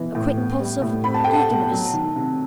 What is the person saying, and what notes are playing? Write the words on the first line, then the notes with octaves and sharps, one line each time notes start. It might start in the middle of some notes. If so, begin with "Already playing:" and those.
A quick pulse of--eagerness?
Already playing: B2 E3 B3
A2
B3
G3
A2
C4 B5
A5
A3 G5
F#5 A5
B2
F#3
D#3
C3